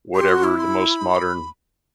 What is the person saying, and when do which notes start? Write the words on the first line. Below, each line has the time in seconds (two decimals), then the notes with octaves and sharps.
whatever the most modern,
0.15 G4 C6 C#6
0.29 F#4
0.44 E4
0.58 C6
0.63 B5